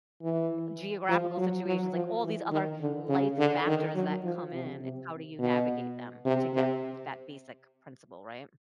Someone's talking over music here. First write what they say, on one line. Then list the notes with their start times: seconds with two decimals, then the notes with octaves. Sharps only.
geographical situations, like all these other life factors that come in, it's how do you navigate them to get g that basic principle, right?
0.22 E3
1.09 F3
1.38 F#3
1.66 F#3
1.94 F3
2.23 E3
2.51 D#3
2.81 D3
3.09 C#3
3.38 D3
3.67 D#3
3.95 F#3
4.24 F3
4.53 C3
4.81 C3
5.39 B2
6.25 C3
6.54 C3